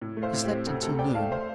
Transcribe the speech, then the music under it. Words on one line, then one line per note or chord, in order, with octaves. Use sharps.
He slept until noon.
A2
A3
C5 F5
A2
G4
C4
D2 A4
C3 A4
C4 D5 G5
A3 F5 A5
C5 F5